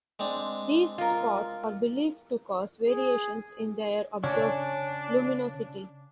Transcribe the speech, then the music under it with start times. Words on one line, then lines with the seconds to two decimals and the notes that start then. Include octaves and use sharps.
These spots are believed to cause variations in their observed luminosity.
0.19 G#3 C4 D4
0.98 F4 A#4
2.88 G#4
4.24 C#3 C#4 D4 C#5